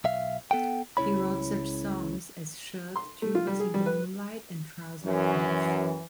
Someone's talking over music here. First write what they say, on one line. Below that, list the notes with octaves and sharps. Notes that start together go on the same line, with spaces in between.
He wrote such songs as "Shirt", "Tubas in the Moonlight" and "Trouser Press".
B1 E5 F5
B3 A4 F#5 G5
C#2 C#3 E4 C#5 B5
C6
A3
F4
G3
G#4
G3
B4
F#2 E3